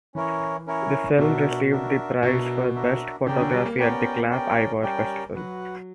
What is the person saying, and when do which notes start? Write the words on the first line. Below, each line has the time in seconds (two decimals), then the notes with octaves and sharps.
The film received the prize for best photography at the Clap Ivoire festival.
0.15 E3 C#4 E4 A#4 C#5
0.67 C#4 E4 A#4 C#5
1.18 B2 D4 F#4 A#4 E5
1.70 D4 F#4 A#4 E5
2.23 B2 D4 F#4 A#4 E5
2.75 D4 F#4 A#4 E5
3.27 C#3 C#4 G4 A#4 D5 G5
3.40 D3
3.53 G3
3.66 A#3
3.78 B3 C#4 G4 A#4 D5 G5
4.31 C#4 G4 A#4 D5 G5
4.82 G3 C#4 G4 A#4 D5 G5
5.35 F#3 F#4 B4 F#5